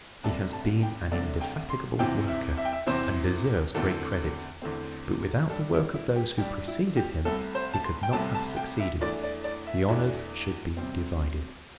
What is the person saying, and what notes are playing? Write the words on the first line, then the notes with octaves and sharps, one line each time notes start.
He has been an indefatigable worker and deserves great credit; but without the work of those who preceded him he could not have succeeded: the honors should be divided.
C2 C3 A3 D4 A5
A5
G5
C2 C3 A3 D4 D5
G5
C6
E2 C3 E3 C4 G5
E5
E5
G5
E5
E2 C3 E3 C4 C5
E2 D3 A3 C4 A4
E2 D3 A3 C4
G2 G3 D4 A4
E4
E4
G4
G2 G3 D4 G4
E4
G4
C2 C3 A3 A4
C5
A5
C6
G5
C2 C3 A3 A5
A5
G5
E5
E2 E3 A3 D4 D5
D5
D5
E5
E2 E3 A3 D4
C3 G3 C4